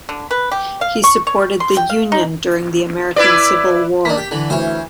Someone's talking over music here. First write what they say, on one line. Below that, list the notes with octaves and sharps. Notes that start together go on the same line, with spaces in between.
He supported the Union during the American Civil War.
D3
B4
G4
F5
C#6
C#5
C6
G5
F5
D#4
E4 B4 D5
A#3 D4 B6
G4
D3 E3
D2 E3 C5 C#5